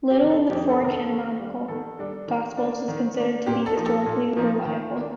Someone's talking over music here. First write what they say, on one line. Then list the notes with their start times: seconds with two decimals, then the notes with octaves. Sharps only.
Little in the four canonical gospels is considered to be historically reliable.
0.10 G4
0.21 C3 D#3
0.30 A4
0.50 F2 G4
0.70 A4
0.81 C3 D#3 A#4
0.91 A4
1.10 D#3
1.39 G3 D4
1.68 D#3 A4
1.99 G3 D4
2.28 D#3
2.57 A#3 D4
2.88 D#3
3.17 A#3 D4
3.46 A#2 G4
3.66 A4
3.76 F3 A#3 D#4
3.86 A4
4.06 A#2
4.36 F3 A#3 D#4
4.65 D#3
4.95 A#3 D4